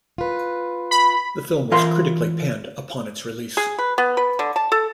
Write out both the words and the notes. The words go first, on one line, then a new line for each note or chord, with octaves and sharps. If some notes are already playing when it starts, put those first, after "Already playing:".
The film was critically panned upon its release.
F4 B4
B5
E3 F4 A#4 F5 C6
G#4
B4
B3
B4
D3
A5
A4